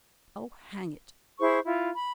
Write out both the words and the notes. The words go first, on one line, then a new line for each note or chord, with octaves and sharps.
Oh, hang it!
E4 G#4 C5 C#6
E4 F4
B5